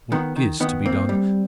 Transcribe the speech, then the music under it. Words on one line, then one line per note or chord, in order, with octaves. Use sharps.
What is to be done?
D#3 B3
D#3
D#3 B3
A#3 C4
G3